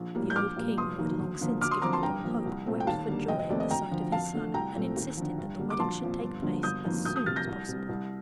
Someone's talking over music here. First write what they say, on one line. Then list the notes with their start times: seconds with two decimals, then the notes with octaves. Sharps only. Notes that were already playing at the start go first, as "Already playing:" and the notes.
The old king, who had long since given up all hope, wept for joy at the sight of his son, and insisted that the wedding should take place as soon as possible.
Already playing: A#1
0.15 A2 G3 A#3
0.30 G6
0.36 A#1 D6 F6
0.56 A#2 G3 A#3
0.78 F1 C6 D#6
0.99 D#2 D#3 A#3
1.19 D2
1.40 D3 F3 A#3
1.61 D2 D6 F6
1.71 C6 D#6
1.82 D3 F3 C4 A#5 D6
1.93 A5 C6
2.03 G2 G5 A#5
2.24 F3 A#3
2.45 C2
2.66 A#2 A3 C4
2.80 G5
2.87 D#2 F5 A5
3.08 D3 G3 A#3
3.28 F1 D#5 G5
3.39 D#5
3.50 D#2 D#3 A3 C4 D5
3.60 D#5
3.70 D2 G5 A#5
3.91 D3 F3
4.12 F2 F5 A5
4.33 D3 A3
4.54 C2 G5 A#5
4.75 A#2 A3 C4
4.96 D#2
5.17 D3 F3
5.38 G2
5.59 D3 G3 A#3
5.70 D6
5.79 A#1 A5 C6
6.01 A#2 F3 C4
6.22 G1
6.42 G2 D3 F3 A#3
6.63 G1 D#6 G6
6.84 F2 D#3 A#3
7.05 D2 D#6 G6
7.16 D#6 G6
7.26 C3 F3 F6 A6
7.36 G6 A#6
7.47 C2
7.68 C3 G3
7.89 C2